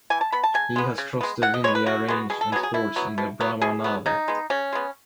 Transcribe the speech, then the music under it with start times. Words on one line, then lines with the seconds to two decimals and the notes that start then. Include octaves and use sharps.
He has crossed the vindya range and sports in the Brahma Nadi.
0.10 E3 G#5
0.21 A5
0.32 B3 B5
0.44 A5
0.54 C#3 G#5
0.76 G#3 B3
0.98 C#3
1.21 G#3 B3
1.42 C#3 F#5
1.54 D#5
1.64 G#3 B3 C#5
1.75 B4
1.86 C#3 F#4
2.08 G#3 B3
2.30 B2 G#4
2.41 A4
2.52 B3 G#4
2.56 F#3
2.63 G#4
2.74 B2 E4
2.96 F#3 B3
3.18 B2
3.40 F#3 B3
3.62 B2 G#4
3.84 F#3 B3
4.06 C#3 D#4
4.28 G#3 B3
4.50 C#3 C#4
4.73 G#3 B3